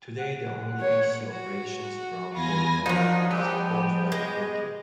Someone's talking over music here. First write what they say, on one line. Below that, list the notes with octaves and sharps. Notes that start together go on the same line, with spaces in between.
Today, the only Asia operations from Portland is Portland-Tokyo.
F#5
C#5
F#4
E2 F4 G#5 B5 A#6
F3 F#3 D4 D#4 F4 A#4
G3 B3 G4
G#3 D#5